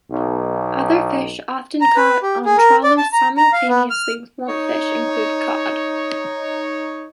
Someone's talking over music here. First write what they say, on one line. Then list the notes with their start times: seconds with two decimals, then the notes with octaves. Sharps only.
Other fish often caught on trawlers simultaneously with lumpfish include cod.
0.11 B1
1.81 A#5
1.96 B4
2.23 G4
2.45 G#4
2.58 A#4
2.84 D5
2.98 A5
3.13 A#5
3.37 A#5
3.53 F5
3.68 B3
3.90 F6
4.48 D#4 C#5